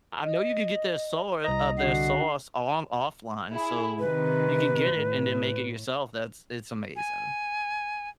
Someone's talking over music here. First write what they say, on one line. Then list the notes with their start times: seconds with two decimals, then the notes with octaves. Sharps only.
I know you can get their saur uh, their sauce on offline, so you can get it and then make it yourself, that's It's amazing.
0.24 D#5
1.44 C2 D#5 A#5
1.78 D3 F#4 C7
3.52 E4 G#4
3.99 C3 D#3 B4
4.94 A2
6.96 G#5